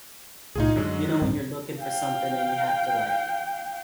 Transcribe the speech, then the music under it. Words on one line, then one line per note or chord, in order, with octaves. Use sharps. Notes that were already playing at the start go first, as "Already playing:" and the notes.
you know, when you're looking for something and you have to like
C2 A2 D#4 F4 G#4
F#2 D3 F#3 G#3
D1 G2 C4
F5 G5